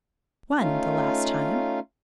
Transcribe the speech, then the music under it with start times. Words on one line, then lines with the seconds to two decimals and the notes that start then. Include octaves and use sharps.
"One, the last time."
0.59 A3 C#4 D#4 F4 F5